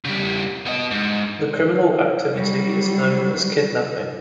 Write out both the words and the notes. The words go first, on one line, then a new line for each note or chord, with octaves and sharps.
The criminal activity is known as kidnapping.
C#3 G3
B3 D#5
G#2
F#3 G3